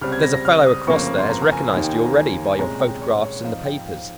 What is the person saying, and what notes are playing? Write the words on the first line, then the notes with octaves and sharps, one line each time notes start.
There's a fellow across there has recognised you already by your photographs in the papers....
C#2 C3 G3 C4 F6
G#6
A#6
A#6
F6
D#6
G1 F2 C#3 F3 A#3 C#6
C6
A#5
A#5
G#5
D#2 D#3 A#3 D#4 G#5
G5
G#5
A#5
G#5
G#5
C2 A#2 G#3 C#4 A#5
G5
C#5
C#5
G#2 F3 C4 D#4 F5
G5
F5